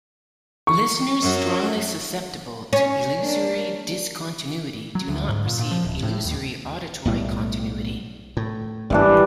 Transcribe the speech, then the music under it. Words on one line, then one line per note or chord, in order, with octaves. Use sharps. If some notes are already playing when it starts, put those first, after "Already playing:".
Listeners strongly susceptible to illusory discontinuity do not perceive illusory auditory continuity.
C#6
F#2 F#3
C#4
A#3 D4
F#3
D2
G#2
A#2
A#2
F3
D1
A2
D#2
B1 A2 G3
A2
G#1 G2 D3 E3 A#3 D4